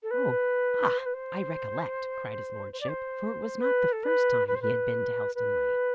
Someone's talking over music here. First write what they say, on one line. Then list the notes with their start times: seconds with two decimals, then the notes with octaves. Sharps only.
"Oh, ah, I recollect," cried his lordship--for it was not the first time he had been to Helstonleigh.
0.02 A4
0.10 B4
0.97 C5
1.05 B4
1.13 C5
2.72 C5
2.80 D5
2.88 C5
3.60 B4
3.92 A4
4.03 B4
4.47 B4
4.54 C5
4.62 B4
5.34 B4